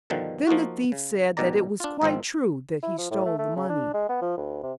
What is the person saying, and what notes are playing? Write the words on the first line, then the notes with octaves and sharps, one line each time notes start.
Then the thief said that it was quite true that he stole the money.
G2 B2 D3 D#3 F3
F3 A#3 D#4 F4 F#4
C#3
A1 G#2 B2 D#3 D5 A#5
D4 F4
G#1 G#2 D#3 F3 C4
E4
F3
A2
A3
A3
C#3
D4
G#3
B3
F3
D2
C3